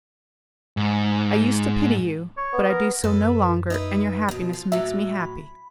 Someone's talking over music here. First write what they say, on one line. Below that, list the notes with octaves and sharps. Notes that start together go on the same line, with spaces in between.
I used to pity you, but I do so no longer, and your happiness makes me happy.
G#2
C#5
B3
A#4
F#2 A4 B4
D#4 E4 B4
D#2 B2
F3
A2 F#3 E5
B5